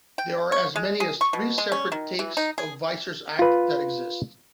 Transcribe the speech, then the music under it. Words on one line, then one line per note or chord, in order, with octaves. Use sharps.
There are as many as three separate takes of Visser's act that exist.
G5
C#5
G#3
G#4
C#6
B2
G#3
C#4
D#3
E3
D#4
G#4
F4 B4